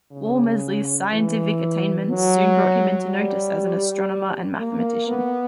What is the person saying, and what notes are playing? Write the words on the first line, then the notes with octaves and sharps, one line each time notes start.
Walmesley's scientific attainments soon brought him into notice as an astronomer and mathematician.
C#3
E3
F#3
G3
A#3
B3